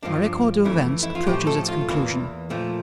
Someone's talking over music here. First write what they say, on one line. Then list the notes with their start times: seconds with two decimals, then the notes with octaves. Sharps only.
MY record of events approaches its conclusion.
0.03 G2 F3 A#3 D4
0.64 F2 E3 A3 E4
1.03 E4
1.15 F4
1.27 A2 F3 A3 G4
1.47 A4
1.68 F4
1.89 E2 E3 A#3
2.50 A#2 F3 A3